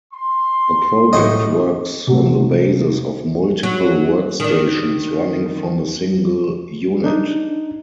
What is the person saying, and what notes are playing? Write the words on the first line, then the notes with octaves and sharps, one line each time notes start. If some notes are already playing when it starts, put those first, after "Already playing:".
The project works on the basis of multiple workstations running from a single unit.
C6
B1 A2 D#5
C3 F#3 G3 A3
F#3
D#3 D4
D4 D#4